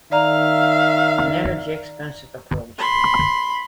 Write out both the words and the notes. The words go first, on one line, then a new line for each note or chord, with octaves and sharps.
An energy-expensive approach.
D#3 D5 E5 F5 A#5 F7
B5 C6